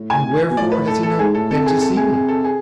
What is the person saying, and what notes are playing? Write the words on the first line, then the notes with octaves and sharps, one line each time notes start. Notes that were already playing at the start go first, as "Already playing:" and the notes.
"And wherefore has he not been to see me?"
Already playing: A2
G#5
B2
A2 D5
B4
A4
A4
G#2 G#4
A2 A4
C3 A4
G#4
A4
G#4
G#4
A4
G#4